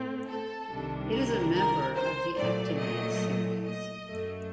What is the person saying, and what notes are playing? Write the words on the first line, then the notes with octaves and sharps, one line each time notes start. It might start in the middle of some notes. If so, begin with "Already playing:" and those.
It is a member of the actinide series.
Already playing: A2 A3 C4
A4
C2 C3 D#3 G3 D4
A#4
A#4
C5
A#2 F#3 A3 D5
D#5
D#5
F#2 F#3 A3